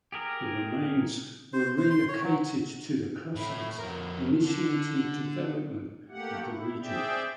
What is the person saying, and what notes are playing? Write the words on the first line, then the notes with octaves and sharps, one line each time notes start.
The remains were relocated to the Cossacks, initiating development of the region.
G4 G#4 A#4
C5
C5
C6
C#5
F#3
A2 E4
F2 A#4
D3
A3 A#3 G4 F#5
E4
C4 G#4 D5 E5 G5